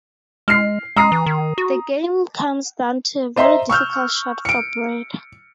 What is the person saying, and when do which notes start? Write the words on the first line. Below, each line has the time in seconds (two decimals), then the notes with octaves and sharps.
The game comes down to a very difficult shot for Brad.
0.48 G#3 F6 C7
0.96 G#3 A#5 D#6 C7
1.12 E3
1.26 D#3
1.58 F#4
3.36 C5 D#5 E5 A#5 C6
3.69 C#6 E6 F6 G6
4.45 C#7 D7